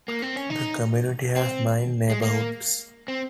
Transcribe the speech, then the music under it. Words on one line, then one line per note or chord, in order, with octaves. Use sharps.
The community has nine neighbourhoods.
A#3
C4
C#4
D#4
C4
G#3
A#3
C4